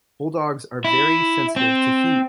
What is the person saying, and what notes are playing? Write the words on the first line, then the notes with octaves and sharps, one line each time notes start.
Bulldogs are very sensitive to heat.
E4
C4